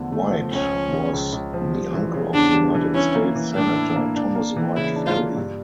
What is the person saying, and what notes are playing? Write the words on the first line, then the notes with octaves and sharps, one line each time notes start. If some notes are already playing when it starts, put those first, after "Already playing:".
White was the uncle of United States Senator Thomas White Ferry.
Already playing: E2 D3 F3 A3
A3
F3
C#2 C#4
F3
C#3
C#2
C#2
F3
G3
E3
C#3
E2 D4
G3
E3
C#4 E4
A#3
E3
A2 D4
E4
A#3
D4
A#3
E3
C#3 E4
D4
F4
A#3
G2